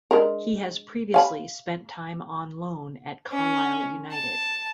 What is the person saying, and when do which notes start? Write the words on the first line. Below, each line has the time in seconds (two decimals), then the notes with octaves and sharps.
He has previously spent time on loan at Carlisle United.
0.11 G#3 D4 A#4
1.14 F5 G#5 B5
3.32 C#4
4.11 A5